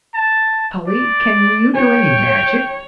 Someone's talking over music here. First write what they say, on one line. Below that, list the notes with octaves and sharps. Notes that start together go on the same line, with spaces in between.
"Polly, can you do any magic?"
A5
D5
C#5 G5